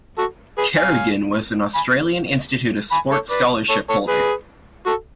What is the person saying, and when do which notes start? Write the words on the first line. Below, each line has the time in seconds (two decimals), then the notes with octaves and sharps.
Carrigan was an Australian Institute of Sport scholarship holder.
0.18 F#4 A4
0.58 G#4 B4
0.77 F5 G#5
1.75 G#5 B5
2.92 G#5 B5
3.11 A4 C#5
3.31 B4 D5
3.69 A4 C#5
3.90 A4 C#5
4.08 G#4 B4
4.86 F#4 A4